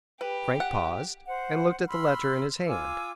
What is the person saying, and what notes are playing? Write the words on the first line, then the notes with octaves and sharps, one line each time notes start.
Frank paused, and looked at the letter in his hand.
G4 B4
F#5
C5 F#5
B5 C6 E6 F6
F4 G#5 D6 E6